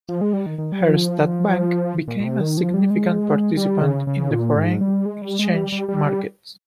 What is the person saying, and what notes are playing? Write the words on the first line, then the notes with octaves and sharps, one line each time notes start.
Herstatt Bank became a significant participant in the foreign exchange markets.
F3
G#3
G3
D#3
D#3
G3
F3
A#2
A#2
C3
D#3
F3
G3
G#3
G3
C#3
C#3
A#2
G#2
G3
G#3
G3
G#3
G3
G3
G3
G3